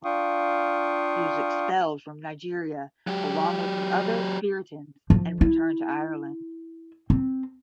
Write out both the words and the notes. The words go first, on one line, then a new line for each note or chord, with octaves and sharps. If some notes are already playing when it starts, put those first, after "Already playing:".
He was expelled from Nigeria along with the other Spiritans and returned to Ireland.
D4 F4 F5 G5 C#6 D#6
F#3 G4
F3
E4
C4